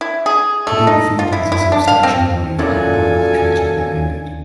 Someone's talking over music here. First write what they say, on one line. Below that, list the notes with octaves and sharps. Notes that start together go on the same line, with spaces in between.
Today, the field has a substantial body of academic literature behind it.
E4
G#4
A3
D#4
F4
E4
E4
D4
F5
C4
A#2 F#3 C#4 E4 F4 A4 D5 G#5